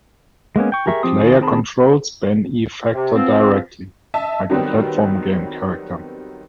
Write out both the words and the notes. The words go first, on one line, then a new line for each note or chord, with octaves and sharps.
The player controls Ben E. Factor directly, like a platform game character.
G#3 A#3 B3 C#4
G5 C#6
G4 G#4 A#4 E5 C#6
F3 C4 G4 C6 D#6
D#3 F4 G#4
D#3 C4 G#4 A5 B5
C3
F3 B3 C4
D#5 E5 A5
D#3 F#3 G3 B3 C4